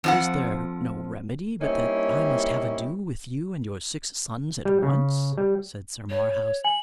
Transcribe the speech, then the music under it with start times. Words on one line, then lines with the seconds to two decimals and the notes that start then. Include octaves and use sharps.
Is there no remedy but that I must have ado with you and your six sons at once? said Sir Marhaus.
0.04 F2 F3 F#5
1.61 G3 A#3 C4 C#4 D#4 E4
4.65 G3
4.83 C#3
5.38 G3
6.10 C#5
6.64 G#5 F#7